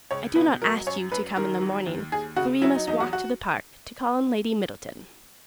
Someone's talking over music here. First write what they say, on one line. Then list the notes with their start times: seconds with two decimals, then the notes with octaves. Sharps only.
"I do not ask you to come in the morning, for we must walk to the park, to call on Lady Middleton."
0.11 C#2 C#5
0.35 B2 B4
0.62 F#3 A#4
0.87 F#2 C#5
1.12 F#2 B4
1.37 D#3 A#4
1.61 F#3
1.86 D#2
2.12 D#2 G#4
2.36 C#3 F#4
2.62 F#3 E4
2.75 D#4
2.87 E2 D#4
3.00 F#4
3.13 F#4